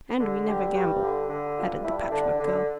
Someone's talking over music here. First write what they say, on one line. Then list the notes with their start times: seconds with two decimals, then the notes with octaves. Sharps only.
"And we never gamble," added the Patchwork Girl.
0.20 D3
0.47 G2 G4
0.74 G2
1.03 D3
1.30 D3
1.57 G2 F4
1.84 G2 E4
2.11 D3 D4
2.39 D3